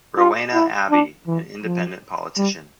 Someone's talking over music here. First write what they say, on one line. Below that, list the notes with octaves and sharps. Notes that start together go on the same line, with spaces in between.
Rowena Abbey, an independent politician.
F4
E4
D4
E3
F3
G3